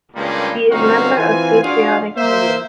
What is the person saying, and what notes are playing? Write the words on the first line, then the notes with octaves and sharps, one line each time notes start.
She is member of Patriotic Union.
C#2 G2 A#2 G3 G#3 A#3
G1 F#2 C4 D#4 F#4 F5
E3 C4 F4 G#5
D4 F4 F#4 G#4 F5
A#3 C5 E5